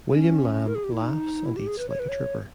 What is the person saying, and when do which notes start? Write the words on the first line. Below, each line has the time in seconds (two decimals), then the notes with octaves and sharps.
William Lamb laughs and eats like a trooper.
0.12 C#4
0.67 A#4
0.75 G#4
0.84 G4
0.92 E4
1.01 D#4
1.45 E4
1.57 G4
1.67 G#4
1.79 B4
1.89 C#5
1.99 B4
2.09 C#5